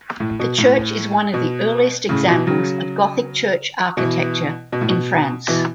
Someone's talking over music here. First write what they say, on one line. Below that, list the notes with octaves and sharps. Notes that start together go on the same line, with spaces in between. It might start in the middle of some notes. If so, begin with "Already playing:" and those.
The church is one of the earliest examples of Gothic church architecture in France.
A2
B2
A2
B2
A2 C#3
B2 E3
C#3 F#3
B2 E3
B2
A2
B2
B2 E3